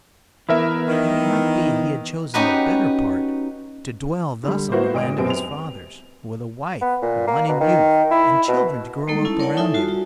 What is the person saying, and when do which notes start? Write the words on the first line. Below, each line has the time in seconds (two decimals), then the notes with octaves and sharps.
Yet it might be he had chosen the better part, to dwell thus on the land of his fathers, with a wife won in youth, and children to grow up around him.
0.49 E3 B3 E4 A#4 E5
0.88 D#3
2.34 C#4 D#4 F#4 G4 B4
4.44 D3 G3
4.72 A#3 B3 E4 F#4 B4 C5
4.94 G#1 D#5 D7
5.18 F#2 B3 C4 G4 D7
5.30 F7
6.81 B3
7.02 A#2
7.27 A#3
7.49 B2
7.60 D#3
8.11 E4
8.48 B2
9.08 G3 G#3 A#3 D#4 A4
9.25 C#4 E4 A5
9.40 A#4 C#5 D5 F#5 A5
9.57 D#4 E4 A4 E5 G#5
9.74 G3 F4 F#4 A5
9.89 F#4